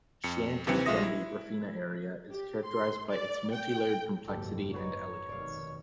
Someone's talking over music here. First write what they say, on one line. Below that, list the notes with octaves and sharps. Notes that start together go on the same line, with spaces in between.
Chianti from the Rufina area is characterised by its multi-layered complexity and elegance.
F2 C#7
D#2 C3 E3 C4 C#7
A#1 G#3 F4 E5 D#6 A#6
E4
G4
C6
D5
G5
F#1 D#2 G#2 G4 A4
G#1 D#4 F#4 B4 C#5 D5
F1 B2 D#3 D5 F5